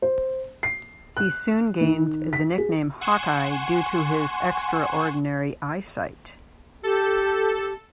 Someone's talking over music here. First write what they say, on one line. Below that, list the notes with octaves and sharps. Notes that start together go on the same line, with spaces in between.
He soon gained the nickname "Hawkeye" due to his extraordinary eyesight.
C5
C7
F#6
D#3
B6
G#4
F#5 G#5 C6 C#6 E7
G4 A4